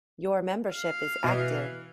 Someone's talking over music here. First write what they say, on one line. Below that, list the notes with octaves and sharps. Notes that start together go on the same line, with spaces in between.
Your membership is active.
F5
B2 E3 D#5